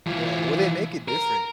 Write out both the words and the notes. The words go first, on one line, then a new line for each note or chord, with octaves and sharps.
Yeah, well, they make it different.
E3 F4
A#4